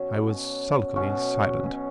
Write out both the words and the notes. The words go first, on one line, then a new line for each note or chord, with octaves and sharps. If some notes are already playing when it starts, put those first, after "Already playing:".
I was sulkily silent.
Already playing: B2 F#3 C#4 F#4
B2 F#3 C#4 F#4
B2 F#3 C#4 F#4
B2 F#3 C#4 F#4